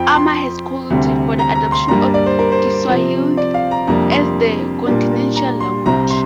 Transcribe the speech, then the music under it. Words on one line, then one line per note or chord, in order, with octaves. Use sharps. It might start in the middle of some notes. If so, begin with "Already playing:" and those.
Armah has called for the adoption of Kiswahili as the continental language.
Already playing: F2 F3 C4 G5
C6
D2 C3 G3 C4
A#5
A#5
C6
G2 G3 A#3 D4 A#5
D5
C5
A#4
C5
C3 F3 C4
D5
F5
A#5
F2 C3 G3 A#3 D4 A#5
C6
A#2 G3 A#3 D4
A#5
C6
C2 C3 G3 C4 A#5
C6